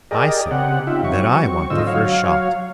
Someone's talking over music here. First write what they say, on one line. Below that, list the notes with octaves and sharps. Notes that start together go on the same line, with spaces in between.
"I say that I want the first shot."
G4 G#4 A#4 D5 D#5
C#3 C4 G4 F#5
D#4 F4 G4 E5
F#3 C4 C#6
G#2 D3 F4 C5 D#5 E6
F#3 C#5 F5